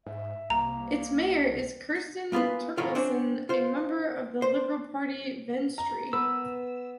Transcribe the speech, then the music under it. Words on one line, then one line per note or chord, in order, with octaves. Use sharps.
Its mayor is Kirsten Terkilsen, a member of the liberal party "Venstre".
G#2 E5
C2 A#3 A#5
A#3 B3 F4 G#4 B4
A2 D#3 F#3 A#3 F4 C#5
C4 D4 C5 C#5 G#5
F4 C5
C5
A#5
B3 B4 E6